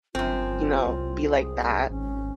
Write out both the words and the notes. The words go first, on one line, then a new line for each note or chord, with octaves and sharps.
you know, be like that,
G1 F#2 C4 F4
C2
G#4
G#1 C#4